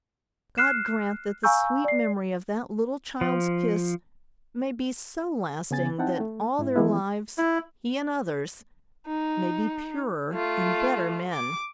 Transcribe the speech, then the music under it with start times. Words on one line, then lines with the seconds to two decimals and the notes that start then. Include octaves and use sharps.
God grant that the sweet memory of that little child's kiss may be so lasting that all their lives, he and others, may be purer and better men.
0.58 F6 F#6 C7 E7
1.44 F5 G#5 A#5 C#6 E6 G6
1.84 D5 C7
3.21 F3
5.71 C#3 B3 G#5 A6
5.99 C4 D#4 E4 F#5 G5 A5
6.20 A3
6.59 G#2 E4
6.76 E3 F3 G3 G#3 B3 E4
7.38 E4
9.07 D#4
10.32 A3 F4
11.33 D6